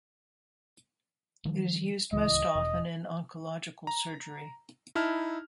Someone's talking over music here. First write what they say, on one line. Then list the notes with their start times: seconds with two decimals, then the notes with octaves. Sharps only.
It is used most often in oncological surgery.
1.45 D#3 F3 G3
2.12 D1 C#2 E3 D#5
2.55 E1
3.87 A#5
4.95 D#4 E4 A5 F6